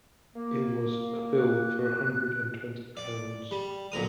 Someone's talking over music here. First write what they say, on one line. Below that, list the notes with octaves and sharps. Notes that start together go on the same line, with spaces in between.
It was a bill for a hundred and twenty pounds.
A#3
F#6
D5
G3
B1 A#2 A#4 D#6